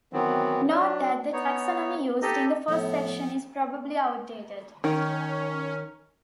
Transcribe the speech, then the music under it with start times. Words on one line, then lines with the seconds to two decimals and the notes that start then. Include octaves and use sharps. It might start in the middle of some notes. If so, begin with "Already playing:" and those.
Note that the taxonomy used in the first section is probably outdated.
0.13 D#3 E3 F#3 B3 C4
0.69 F#3 D4
1.33 B3 D#4 C#5
2.22 D#4 G4 A4 D#5
2.68 A2 F3 B3
4.84 D#3 C#4